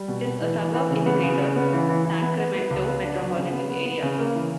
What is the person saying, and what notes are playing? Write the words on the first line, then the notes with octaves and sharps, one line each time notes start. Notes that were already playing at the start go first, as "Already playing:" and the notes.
It is a suburb in the Greater Sacramento metropolitan area.
Already playing: G3
B2
B3
E3
E3
E3
C#3
B3
C#3
C#3
B3
E3
E3
E3
B3
B3
B3
C#2
B3
D4
F#3
C#3
B3
B3
B3
C#3
A#3
E3